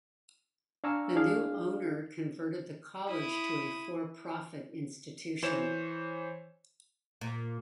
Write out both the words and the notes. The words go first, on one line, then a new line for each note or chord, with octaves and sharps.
The new owner converted the college to a for-profit institution.
D4 F5 G#5 A#5 C#6 E6
D4 G#4 F5
E4 D#6
E3 C5 C#5 E7
A#2